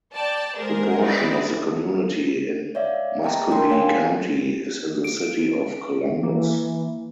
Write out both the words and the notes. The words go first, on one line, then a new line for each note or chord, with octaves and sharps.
The portion of the community in Muscogee County is in the city of Columbus.
D5 G5 A5
G#3 G#4 A#4 C5
C4 D#4 E4 B4 D5
C#5 D5 E5 F5
D#5 G5 A5 A#5
A3 C4 D4 A#4 G5 C6
C#5 F5 G#5
D7
E3 A#3